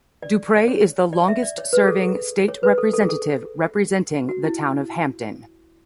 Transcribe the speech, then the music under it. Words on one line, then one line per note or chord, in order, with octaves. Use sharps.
Duprey is the longest serving State Representative representing the town of Hampden.
D5
D5
C#5
D5
E5
D5
C#5
B4
G#4
A4
A4
C#5
B4
A4
A4
G#4
A4
F#4
E4